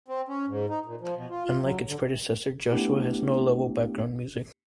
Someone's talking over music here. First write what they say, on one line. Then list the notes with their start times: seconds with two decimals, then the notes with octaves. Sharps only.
Unlike its predecessor, "Joshua" has no level background music.
0.08 C4
0.28 C#4
0.48 G#2
0.70 D#4
0.86 A#2
1.01 F3
1.16 B2
1.30 F4
1.45 F4
1.63 F#3
1.87 D3
2.72 A3 B3 D4 E4 G4